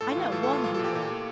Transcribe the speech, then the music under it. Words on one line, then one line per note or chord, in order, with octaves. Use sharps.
I know one who will.
A2 A4
F4
E3
F4
A2 A4
A4
E3
F4
A#2 F4
A4
A#2 G4
A#2
A#2